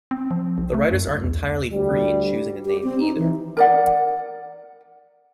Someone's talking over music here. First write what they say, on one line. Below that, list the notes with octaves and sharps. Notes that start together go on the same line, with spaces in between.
The writers aren't entirely free in choosing the name either.
C4
F3
B1
A3
F#2
C2
E2
D2 G3
G4
C4
D#4
E3
A#4 D5 F#5